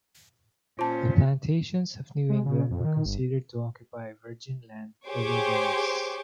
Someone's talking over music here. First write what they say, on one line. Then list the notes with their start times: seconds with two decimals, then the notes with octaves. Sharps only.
The Plantations of New England were considered to occupy "virgin" land or wilderness.
0.79 A#2 C#4 F4 C5 A5
2.29 G#3
2.46 C#3
2.71 F2
2.84 D#3
3.06 G1
5.07 G4 G#4 C5 C#5 C6 D6